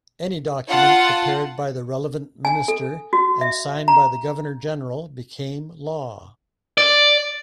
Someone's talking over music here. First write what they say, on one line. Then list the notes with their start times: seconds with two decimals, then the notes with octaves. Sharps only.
Any document prepared by the relevant Minister and signed by the Governor-General became law.
0.69 F4 F#5 A5
2.45 G#5
2.68 A4
3.13 F#4
3.41 E5
3.88 A#5
6.78 D5